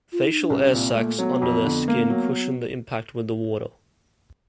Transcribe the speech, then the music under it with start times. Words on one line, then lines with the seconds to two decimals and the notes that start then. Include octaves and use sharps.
Facial air sacs under their skin cushion the impact with the water.
0.12 F4
0.23 E4
0.31 D#4
0.41 D4
0.50 C2 C#4
0.64 C#4
0.73 A#2 C4
0.95 A3 A#3
1.18 F#3 B3 C4
1.42 F2
1.64 D3
1.88 A#3
2.10 F#3